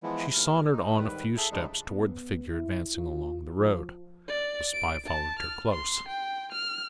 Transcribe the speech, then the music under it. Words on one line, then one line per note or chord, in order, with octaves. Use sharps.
She sauntered on a few steps toward the figure advancing along the road. The spy followed her close.
E3 F3 G#3 B3 E4
D#2 F6
D#4
G#2 D#3 G3 B4
G#4 A4 E5
C#3 F3 G3 G#3 D4 D#4
B3
E4
F4
F3
D5
D7
A5
F6
C6
G5
F6